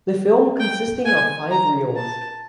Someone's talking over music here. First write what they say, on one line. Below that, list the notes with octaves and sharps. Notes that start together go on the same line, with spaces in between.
The film consisting of five reels.
G5
G#5
A#5
A5